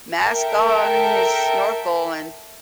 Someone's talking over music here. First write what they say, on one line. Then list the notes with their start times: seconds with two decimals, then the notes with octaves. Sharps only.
mask on and his snorkel and
0.25 A4 A#4 E5 G5